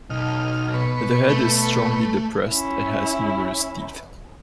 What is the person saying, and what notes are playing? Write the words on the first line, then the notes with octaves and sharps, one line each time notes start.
The head is strongly depressed and has numerous teeth.
B1 D#4 F6
B2 B4 C#6
A3
C#4 E4